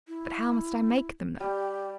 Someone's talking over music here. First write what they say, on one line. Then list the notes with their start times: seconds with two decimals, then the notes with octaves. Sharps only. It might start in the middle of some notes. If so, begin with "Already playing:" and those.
'But how must I make them know?
0.08 E4
1.40 G3 G4